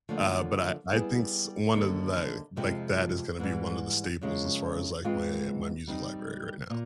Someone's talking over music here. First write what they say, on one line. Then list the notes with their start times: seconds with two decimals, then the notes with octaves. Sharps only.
Uh, but I I think s one of that, like, that is gonna be one of the staples as far as, like, my my music library right now.
0.09 D#2 D3 F3 A3
0.91 G3 B3 E4 G#4
1.74 D#2 D3 G3
2.56 F2 C3 F3 G#3 C4
3.39 G#2 E3 G3
4.21 F#2 C#3 F3 G#3
5.04 G#2 E3 G#3 C4 F4
5.88 G3 C4 D#4
6.70 A#2